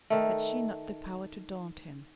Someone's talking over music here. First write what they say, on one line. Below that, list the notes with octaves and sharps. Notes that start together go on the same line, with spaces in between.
Had she not the power to daunt him?
D#3 A3